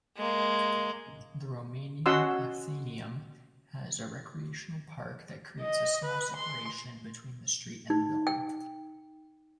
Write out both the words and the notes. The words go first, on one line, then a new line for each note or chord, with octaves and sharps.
The Romanian Athenaeum has a recreational park that creates a small separation between the street and the building.
G#3 A#3
C#4 F#4 D#5 F#5 C6 E6
D#5
B4
C6
D#4
G5